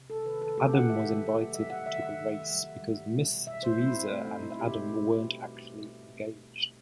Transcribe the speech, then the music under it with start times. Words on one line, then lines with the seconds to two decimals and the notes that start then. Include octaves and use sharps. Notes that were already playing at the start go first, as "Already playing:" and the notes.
Adam was invited to the race because Miss Theresa and Adam weren't actually engaged.
Already playing: C3
0.10 A4
0.26 D#3 B4
0.42 A4
0.58 A3 G4
0.73 F#5
0.90 D#3 E5
1.22 F#3
1.54 G3 E5
1.70 F#5
1.86 D#3 E5
2.02 F#5
2.18 D#3
2.51 G3
2.82 G3
3.14 B2
3.47 B2 E5
3.63 C5
3.79 G3 E4
3.95 C4
4.11 A3 C4
4.27 D#4
4.43 B2 E4
4.59 G4
4.75 B2